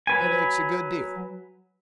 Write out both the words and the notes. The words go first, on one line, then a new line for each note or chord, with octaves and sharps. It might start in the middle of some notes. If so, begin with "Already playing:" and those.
Head aches a good deal.
F#3 B4 G#5